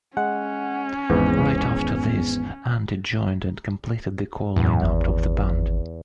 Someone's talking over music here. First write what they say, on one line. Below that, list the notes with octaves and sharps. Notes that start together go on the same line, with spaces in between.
Right after this Andy joined and completed the core lineup of the band.
G#3 C#4 F#5
G#1 E2 G#2 B3
E2 A2
G#1